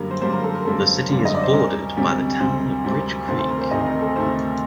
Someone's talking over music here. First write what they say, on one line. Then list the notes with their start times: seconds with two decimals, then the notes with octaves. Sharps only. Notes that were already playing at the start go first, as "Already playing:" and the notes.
The city is bordered by the Town of Bridge Creek.
Already playing: F#2 D3 G3 A#3 A#4
0.11 C5
0.22 F#2 D3 G3 A#3 C5
0.32 A#4
0.43 A4
0.55 A#4
0.65 F#2 D3 G3 A#3 A4
1.09 F#2 D3 G3 A#3
1.25 D#5
1.34 D5
1.43 C5
1.53 D2 C3 G3 C4 A#4
1.97 D2 C3 G3 C4
2.40 D2 C3 G3 C4 C5
2.84 D2 C3 G3 C4
3.28 D2 C3 D#3 A3 C5
3.39 C5
3.50 A#4
3.61 C5
3.71 D2 C3 D#3 A3 D#5
3.86 A#4
4.01 A4
4.16 D2 C3 D#3 A3 C5